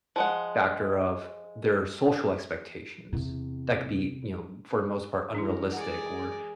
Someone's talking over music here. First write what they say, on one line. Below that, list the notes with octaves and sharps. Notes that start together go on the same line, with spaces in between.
factor of their social expectations that could be, you know, for the most part unrealistic or
F3 G#3 F#5
E2 C3
E3 G#3 D4 E4 A#4
G#4 A#4 D5 F#5